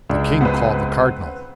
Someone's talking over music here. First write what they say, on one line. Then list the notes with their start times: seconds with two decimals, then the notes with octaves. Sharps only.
The king called the cardinal.
0.09 C#2 D4
0.41 B3 C4 B4